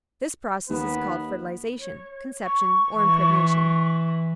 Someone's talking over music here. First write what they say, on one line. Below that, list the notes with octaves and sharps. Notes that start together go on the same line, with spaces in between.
This process is called fertilization, conception or impregnation.
D#2 B3 B4
C#5
C#6
E3